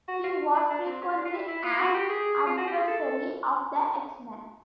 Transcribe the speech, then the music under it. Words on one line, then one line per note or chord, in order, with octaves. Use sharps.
He was frequently an adversary of the X-Men.
F#4
F4
D4
D4
C4
C#4
D4
F4
E4
E4
F4
F#4
G4
G#4
F4
F#4
G4
G#4
A4